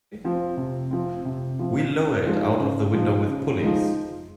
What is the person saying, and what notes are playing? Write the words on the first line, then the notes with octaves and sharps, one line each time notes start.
We'll lower it out of the window with pulleys.
F3 C4
C3
F3 C4
C3
F3 C4
C#3
F3 G#3 D#4
C#3
F3 G#3 D#4
C#3
F3 G#3 D#4